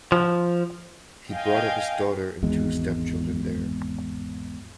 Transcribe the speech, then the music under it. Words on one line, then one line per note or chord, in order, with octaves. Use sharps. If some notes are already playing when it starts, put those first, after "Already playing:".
He brought up his daughter and two stepchildren there.
F3
D#5 F5 G5 G#5
G#1 E2 G#3